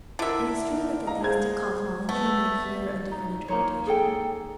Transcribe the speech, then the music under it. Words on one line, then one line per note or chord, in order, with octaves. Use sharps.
It is true that the theistic cosmology might hear a different interpretation.
D3 E4 A#4 E5
D#5 F5 A#5
G#4 C5 G#6
A3 B3
D#4
A#3 D#4 C5 C#5
G#4 A4 G5